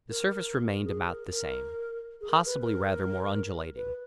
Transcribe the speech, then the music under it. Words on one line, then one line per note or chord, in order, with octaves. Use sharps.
The surface remained about the same -- possibly rather more undulating.
A#4
G#4
A#4
A#4
G#4
A#4
B4
A#4
B4